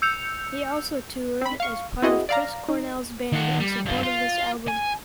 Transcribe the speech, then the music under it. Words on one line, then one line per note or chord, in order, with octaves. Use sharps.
He also toured as part of Chris Cornell's band in support of this album.
E6 G6 C#7 F7
C4 B5
F5 C#6
C4 E4 F#4 G#4 D#5
D5 F5 A#5
D#4
D#3 F#5
G3
G2 F4
F4
G#5